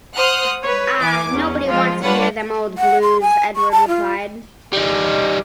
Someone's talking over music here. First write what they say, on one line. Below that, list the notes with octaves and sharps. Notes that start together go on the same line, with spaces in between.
"Ah, nobody wants to hear them old blues," Edward replied.
C5 F#5 D#6 F6 F#6
B4 C#5
E3 G#5 D6
E2 C#4
F3 G#3 F4
G3 D4 F4 B4 C#5 F#5
F#5
C6
G#5
C#6
A5
F4
G3 D#4